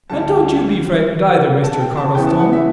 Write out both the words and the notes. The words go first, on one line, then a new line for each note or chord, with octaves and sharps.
And don't you be frightened, either, Mr. Cardlestone.
D2 D3 G3 A5
A5
G5
A5
E2 C#3 E3 B3 E4 G5
A5
F#5
E5